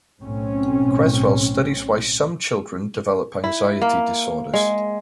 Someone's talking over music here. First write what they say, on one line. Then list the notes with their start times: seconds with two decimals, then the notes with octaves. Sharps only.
Creswell studies why some children develop anxiety disorders.
0.22 B1 A2 C4 C#4
3.44 E4
3.81 A#3
4.54 G#3